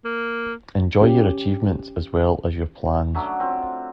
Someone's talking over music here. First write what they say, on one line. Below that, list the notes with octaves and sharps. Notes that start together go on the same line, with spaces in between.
Enjoy your achievements as well as your plans.
A#3
C#4 G4
F#3 A3 C#4 D4
C4 F4